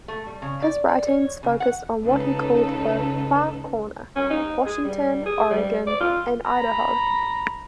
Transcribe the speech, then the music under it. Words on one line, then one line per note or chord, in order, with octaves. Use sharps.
His writings focused on what he called the "Far Corner": Washington, Oregon, and Idaho.
A3
G3
C#3
D5
D5
C#5
C#3
F#5
C#2 C#3 D#4 A4 B4
C#4
D#4
G#4
G3
G#4
G3
D5
F4
A#5 B5